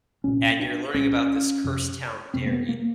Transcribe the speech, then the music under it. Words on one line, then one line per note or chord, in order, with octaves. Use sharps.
and you're learning about this cursed town Derry.
C2 A#2 C#4
D4
C2 A#2 C#4
F2 C3
F2 C3 C4
A#3
B3
A#3